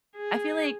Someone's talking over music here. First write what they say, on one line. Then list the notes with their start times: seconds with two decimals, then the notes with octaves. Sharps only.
I feel like
0.16 G#4